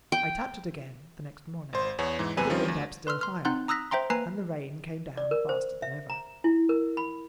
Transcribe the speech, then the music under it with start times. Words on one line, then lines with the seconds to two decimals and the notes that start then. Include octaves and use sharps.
I tapped it again the next morning, and it went up still higher, and the rain came down faster than ever.
0.12 G5
1.73 G#1 C5
1.99 E2 B3 C#5
2.19 G#2 E3
2.37 E2 C3 B4 G#5 D#7
2.50 D#3 F3 G3 C4 C#4 F4
2.68 D2
3.07 B4 C6 E6 F6
3.21 C6 F6
3.45 C4 D#4 F#5 C6 F#6 G6
3.68 A#5 D#6 E6 F#6 A#6 B6
3.91 C5 E5 G5 A#5 C6
4.10 A#3 B4 G#5 A#5 C7
5.17 D5
5.31 A#4
5.49 C5
5.82 E5
6.10 A#5
6.44 E4
6.69 A#4
6.97 B5